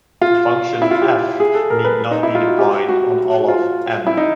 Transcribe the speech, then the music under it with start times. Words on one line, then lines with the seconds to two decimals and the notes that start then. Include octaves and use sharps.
The function "f" need not be defined on all of "M".
0.22 F4
0.82 E4
0.91 F4
1.02 G4
1.40 G#4
1.55 A4
1.70 A#4
1.84 B4
2.11 D#4
2.23 E4
2.35 F4
2.47 F#4
2.58 G4
2.88 F#4
3.48 F4
4.07 E4
4.17 D#4